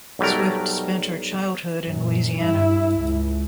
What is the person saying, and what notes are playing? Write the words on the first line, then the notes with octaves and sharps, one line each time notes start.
Swift spent her childhood in Louisiana.
B1 F#3 G3 A3 A#4
F#2 A#2
G2 E4
C#2